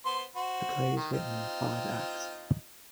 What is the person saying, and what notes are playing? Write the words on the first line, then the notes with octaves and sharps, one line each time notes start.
The play is written in five acts.
B3 C5 C6
F#4 C5
D#3
C4 D#4 F4